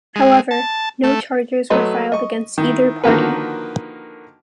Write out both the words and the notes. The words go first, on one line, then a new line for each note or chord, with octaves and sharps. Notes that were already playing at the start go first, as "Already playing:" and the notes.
However, no charges were filed against either party.
G#3
A5
A3
F#3 A3 B4 D#5 C6
D#5 C#6
D#3 E4
D3 D#3 F3 A#3 F#4 B4